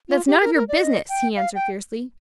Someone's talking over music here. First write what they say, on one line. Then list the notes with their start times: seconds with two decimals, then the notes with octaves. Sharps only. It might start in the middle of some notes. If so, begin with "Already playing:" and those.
"That's none of your business," he answered, fiercely.
0.09 F4
0.27 G4
0.42 A#4
0.55 A#4
0.68 D5
0.81 D#5
1.09 G5
1.36 F5
1.55 G5